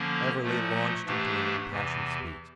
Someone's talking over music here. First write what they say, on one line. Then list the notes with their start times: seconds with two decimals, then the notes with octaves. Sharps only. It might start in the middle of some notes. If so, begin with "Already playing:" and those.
Everley launched into an impassioned speech.
Already playing: D3 F3 A#3 C#4
0.43 A#2 F3 A3
1.06 G#2 E3 A3 D4 G4
1.68 E2 C3 E3